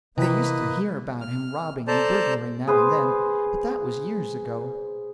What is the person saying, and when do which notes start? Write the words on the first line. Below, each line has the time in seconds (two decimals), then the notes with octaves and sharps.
They used to hear about him robbing and burglaring now and then, but that was years ago.
0.18 C3 E3 A#3 B4 D#5 B6
1.21 F6
1.87 A4 C5 D5 A5 A#5
2.67 G#4 B4 C5